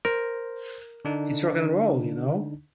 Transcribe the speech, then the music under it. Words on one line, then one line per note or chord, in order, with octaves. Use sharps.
It's rock and roll, you know.
A#4 C5
D3 D4 D#4